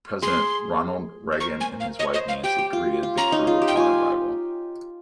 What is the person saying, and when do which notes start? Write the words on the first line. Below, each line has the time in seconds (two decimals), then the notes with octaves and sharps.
President Ronald Reagan and his wife Nancy greeted the crew upon arrival.
0.22 G#4 C6
1.32 C5
1.40 A#4 C#6
1.61 G#5
1.80 F5
1.99 C#5 D#5
2.14 C5 D#5
2.28 F5
2.44 G4 G5
2.58 G4
2.73 F4
3.03 F4
3.17 C#4 A#5
3.32 D#4
3.47 F4
3.62 G4
3.68 G5
3.76 F4 G#5